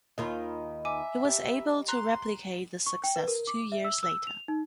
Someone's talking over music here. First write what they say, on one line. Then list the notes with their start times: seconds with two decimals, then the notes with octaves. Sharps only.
He was able to replicate this success two years later.
0.18 D#2 D#3 F4 D#5 A#5 B5
0.85 E5 G#5 D6
1.25 G4
1.88 A#5 C6 F#6
2.86 C#6
3.04 G5
3.16 B4
3.28 A#4
3.47 D6
3.72 E5
3.84 E6
4.03 E6
4.27 F7
4.48 D#4